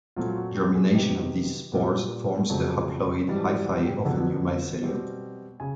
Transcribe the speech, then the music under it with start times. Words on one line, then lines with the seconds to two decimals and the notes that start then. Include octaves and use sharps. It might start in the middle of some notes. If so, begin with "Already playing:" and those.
Germination of these spores forms the haploid hyphae of a new mycelium.
0.16 A#2 F#3 A3 C4 F4
0.37 F#4
0.56 G4
0.75 G#4
0.94 C3 D#3 F#3 B3 G4
1.72 A#2 G3 B3
2.49 F2 C#3 F#3 A3 C4
3.27 G#2 E3 G3 C4
3.46 D5
3.65 F#5
3.86 G5
4.05 F2 D3 F#3 B3
4.83 B2 G3 C4
5.60 C#3 G#5